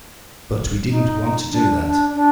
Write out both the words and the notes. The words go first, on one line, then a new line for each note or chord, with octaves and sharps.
But we didn't want to do that.
D#4
D4
D4
D4